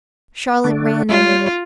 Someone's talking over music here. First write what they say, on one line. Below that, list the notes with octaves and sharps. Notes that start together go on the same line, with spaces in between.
Charlotte ran in.
D3 A3 D4
G3 F4 C#5